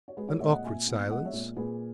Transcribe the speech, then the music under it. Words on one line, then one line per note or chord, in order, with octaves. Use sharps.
An awkward silence.
C#5
G#3 G#4 B4
A#4 C#5
A#2 C#5 E5
D#5 F#5
A#2 E5 G#5
B3
G#3 D#5 F#5
C#5 E5
A#2
A#2 G#4 B4